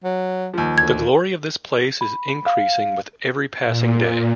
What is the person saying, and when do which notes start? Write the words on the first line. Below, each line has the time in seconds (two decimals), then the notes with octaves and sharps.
The glory of this place is increasing with every passing day.
0.04 F#3
0.54 D#2 F3
0.78 D2 G#6
2.01 B5
2.46 F5
3.66 A#2